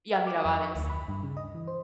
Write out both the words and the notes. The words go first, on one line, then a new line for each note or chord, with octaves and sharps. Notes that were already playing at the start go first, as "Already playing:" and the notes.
Yeah, Mirabales,
F5
D6
F2
C#6
D2
B5
G2
C#3
D#5
E3
C5